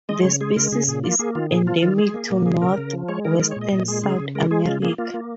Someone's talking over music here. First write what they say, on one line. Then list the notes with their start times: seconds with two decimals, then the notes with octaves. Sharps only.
The species is endemic to northwestern South America.
0.09 G#3 D#5
0.24 C#3 C#5
0.41 G#3 G#4
0.56 C#3 A#4
0.72 C#3 G#4
0.88 A#2 G#4
1.04 A#3 F4
1.19 A#3 G#4
1.35 D#3 F4
1.51 A#2 G#4
1.67 F3 F4
1.82 D#3 F4
1.98 G#3 G#4
2.14 A#3
2.30 A#2
2.46 C#3 G#4
2.62 C#3 A#4
2.78 C#3
2.93 F3
3.09 G#3 C#5
3.25 D#3 A#4
3.40 G#3 A#4
3.51 C#5
3.56 A#2
3.61 D#5
3.72 A#2 D#5
3.88 G#3 G#4
4.03 C#3 G#4
4.20 C#3
4.35 G#3 A#4
4.51 G#3 G#4
4.67 C#3 F4
4.82 A#3 G#4
4.98 A#3 F4
5.14 A#3